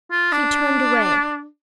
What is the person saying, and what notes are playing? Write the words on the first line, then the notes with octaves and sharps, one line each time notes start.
He turned away.
F4
D4